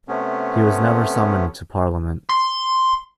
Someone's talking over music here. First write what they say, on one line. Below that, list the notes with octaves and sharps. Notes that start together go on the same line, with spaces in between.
He was never summoned to Parliament.
C3 A3 B3 C#4
C6